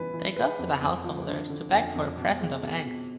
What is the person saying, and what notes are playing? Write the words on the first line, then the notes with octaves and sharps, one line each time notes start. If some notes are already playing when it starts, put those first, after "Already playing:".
They go to the householders to beg for a present of eggs.
Already playing: E3 G3 B4
E3
G#3 B4
F2
F2
F3
D3
D3
F2
F2
B2
G#3
B2
B2